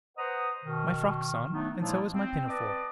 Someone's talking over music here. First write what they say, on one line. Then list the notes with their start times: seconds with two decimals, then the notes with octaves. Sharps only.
"My frock's on, and so is my pinafore."
0.17 B4 C5 D#5 F#5 A#5 D#6
0.64 B2 D#3
1.52 F#3 A3 B3 D4 D#4
1.78 A#2 F3 F#3 G#3 A#3 E4
2.13 C4
2.48 B4 D5 D#5 A5 D6